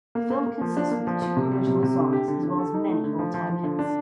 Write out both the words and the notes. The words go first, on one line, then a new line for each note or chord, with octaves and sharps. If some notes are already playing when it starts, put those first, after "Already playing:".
The film consists with two original songs as well as many old time hits.
A#3
A#3
A#3
F3
D4
A#3
F3
F3
C3
G3
C3
C3
D3
G4
D3
D3
A4
D#4
A3
D3
F3
F3
F3
D3
D4